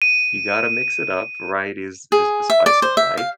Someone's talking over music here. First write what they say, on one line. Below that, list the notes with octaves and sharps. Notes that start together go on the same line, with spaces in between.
you gotta mix it up, variety is is the spice of life,
D#7
G#4
E5
D5
C5
E5
F5